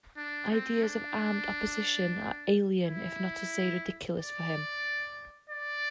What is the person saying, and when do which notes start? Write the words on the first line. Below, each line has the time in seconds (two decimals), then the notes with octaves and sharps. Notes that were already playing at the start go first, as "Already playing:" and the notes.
Ideas of armed opposition are alien if not to say ridiculous for him.
0.17 D4
0.51 C4
0.83 D4
2.83 E4
4.17 D5
5.50 D5